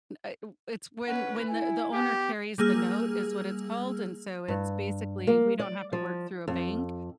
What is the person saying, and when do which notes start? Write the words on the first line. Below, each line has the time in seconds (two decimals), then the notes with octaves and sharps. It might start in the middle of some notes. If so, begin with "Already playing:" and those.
u a u it's when when the the owner carries the note is what it's called, and so it's basically we don't have to work through a bank,
1.07 C#4 B4 F#5
1.48 E4 G#5
1.93 B3 G4
2.58 G3 A#3 G#4 E6 F6
4.48 G2
5.27 A#3
5.59 D5
5.93 F3
6.48 F2